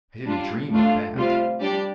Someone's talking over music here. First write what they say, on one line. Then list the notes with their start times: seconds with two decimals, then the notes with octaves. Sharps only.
I didn't dream of that.
0.27 G3 D4 F4
0.71 A2 A3 D4 F4
1.15 C3 G3 F4 C5 F5
1.60 G3 D4 G4 D5